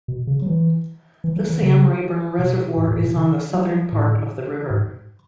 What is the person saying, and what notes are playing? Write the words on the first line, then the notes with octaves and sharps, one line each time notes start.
The Sam Rayburn Reservoir is on the southern part of the river.
B2
C#3
F#3
E3
E3
F#3
E3
C#3
B2
A2
G#2
A2
B2
D3
F#3
A2
G#2